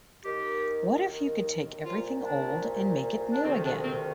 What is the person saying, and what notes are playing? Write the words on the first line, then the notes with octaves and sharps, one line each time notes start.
What if you could take everything old and make it new again?
D#2 D#3 G4
C2 A#2 F4
D4
D4
D2 C3 D#3 C4
D4
C4